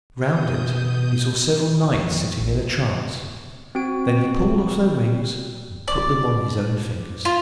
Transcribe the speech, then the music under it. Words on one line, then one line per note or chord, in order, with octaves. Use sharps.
Around it he saw several knights sitting in a trance; then he pulled off their rings and put them on his own fingers.
B2 D#6 G6
F2
A#1
C4 F#4 D7
D5
F4